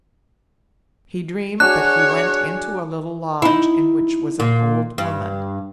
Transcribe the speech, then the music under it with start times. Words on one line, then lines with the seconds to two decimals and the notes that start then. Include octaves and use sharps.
He dreamed that he went into a little lodge in which was an old woman.
1.60 D4 F#4 G#4 C#5 F#6
3.42 D#4 E4
4.40 A#2
4.98 G2